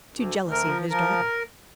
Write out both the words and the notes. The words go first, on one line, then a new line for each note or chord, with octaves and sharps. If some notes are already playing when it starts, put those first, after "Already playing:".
"To jealousy of his daughter."
D2
D2
A#4
F3
F3 A#4